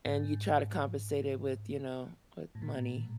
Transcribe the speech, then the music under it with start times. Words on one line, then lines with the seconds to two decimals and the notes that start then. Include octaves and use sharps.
and you try to compensate it with you know, with money.
0.06 G#2
2.55 A2
2.62 A#2